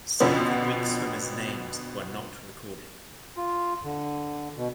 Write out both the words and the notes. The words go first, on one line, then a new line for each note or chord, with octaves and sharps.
Some of the Greek swimmers' names were not recorded.
F2 B2 D3 F3 B3 C#4
F4
D3
B2